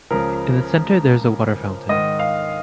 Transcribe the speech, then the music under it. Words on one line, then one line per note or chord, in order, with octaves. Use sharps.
In the center there is a water fountain.
C#2 C#3 F3 A#4
G#2 D#3 D#5
F5